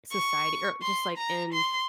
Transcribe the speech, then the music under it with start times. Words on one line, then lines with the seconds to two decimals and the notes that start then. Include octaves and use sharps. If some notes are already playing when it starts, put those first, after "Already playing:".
society or just, like, in
0.11 C#6
0.82 C6
1.17 A#5
1.53 C6